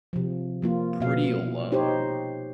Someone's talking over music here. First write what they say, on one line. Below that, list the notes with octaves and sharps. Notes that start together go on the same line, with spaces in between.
pretty alone.
C3 F3
F3 A#3 F4
B2 B3 F5
D#4 G4 C5 C#5